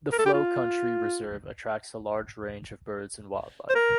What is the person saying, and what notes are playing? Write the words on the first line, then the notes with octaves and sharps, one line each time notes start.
The Flow Country reserve attracts a large range of birds and wildlife.
A#4
A4
G4
F4
C5
A#4